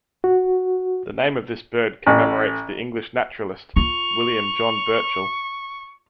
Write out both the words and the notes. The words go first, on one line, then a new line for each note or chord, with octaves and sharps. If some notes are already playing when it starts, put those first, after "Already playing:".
The name of this bird commemorates the English naturalist William John Burchell.
F#4
A1
F4 C#6 F7